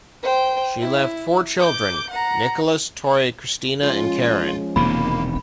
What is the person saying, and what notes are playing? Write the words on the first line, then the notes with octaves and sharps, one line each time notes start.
She left four children: Nicholas, Torre, Cristina, and Karen.
C5 G5
E4
D6 G6
F#5 A#5
F3 G#3 C#4 F4
E1 C3 D#3 A#3 B5